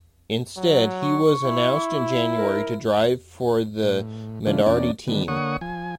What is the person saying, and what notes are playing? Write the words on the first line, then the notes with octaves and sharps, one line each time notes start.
Instead, he was announced in January to drive for the Minardi team.
F#3
C#6
E4
A#4
A2
C#3 E3 A3 D4 F4
E2 A#3 C#4 D4 D5
D3 D#3 G3 B3
D3 A#3 C#5 F#5 C#6 D#6
F3 G#5